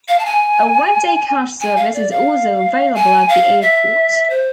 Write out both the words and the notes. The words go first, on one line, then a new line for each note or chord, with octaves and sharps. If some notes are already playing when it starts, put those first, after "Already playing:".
A Rent-a-Car service is also available at the airport.
F5
A5
G#5
G#5
F5
D5
F5
G#5
F5
E5
C5